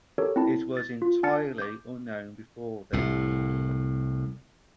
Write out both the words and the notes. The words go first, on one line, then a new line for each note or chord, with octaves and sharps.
It was entirely unknown before then.
G4 A4 A#4 C#5
C4 E4 A5
A6
F4
D4 G#5 A5 F6 A6 C#7
D6 G6
C2 A2